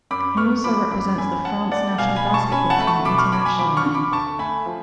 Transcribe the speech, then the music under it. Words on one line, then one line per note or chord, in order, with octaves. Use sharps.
He also represents the France national basketball team internationally.
F#2 B5 D6
B3 C#6 F6
F3 B5 D6
F#2 B5 D6
F#2 G#5 B5
C#4 F#5 A5
A3 D5 F#5
B2 F5 G#5
G#5 B5
B2
A5 C#6
C#4 G#5 B5
F#5 A5
A3 B5
A5 C#6
B2 B5 D6
C#6 F6
B2 B5 D6
G#5 B5
F3 B5 D6
C#6 F6
D3
B5 D6
D2 A5 C#6
A3 G#5 B5
F3